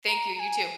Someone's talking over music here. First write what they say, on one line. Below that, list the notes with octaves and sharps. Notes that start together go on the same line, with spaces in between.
Thank you. You too.
A#5
A#5
G#5